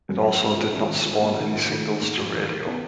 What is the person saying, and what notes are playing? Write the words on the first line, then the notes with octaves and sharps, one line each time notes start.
It also did not spawn any singles to radio.
F#2
F3
G#3
F3
G#1
G#1
F3
A#3
D#3
F4
D#3
D#3
A#3
F2
D#3
D#3
B3